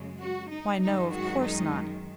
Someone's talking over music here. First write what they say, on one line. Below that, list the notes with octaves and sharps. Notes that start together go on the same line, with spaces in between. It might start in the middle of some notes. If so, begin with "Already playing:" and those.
'Why no, of course not.'
Already playing: F#2 C#3 G#3
F#4
D#4
F#2 D#3 G#3 D#4
F#4
D#4